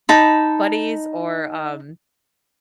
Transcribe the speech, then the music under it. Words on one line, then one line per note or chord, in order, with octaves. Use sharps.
Buddy's or, um,
D#4 A5 B5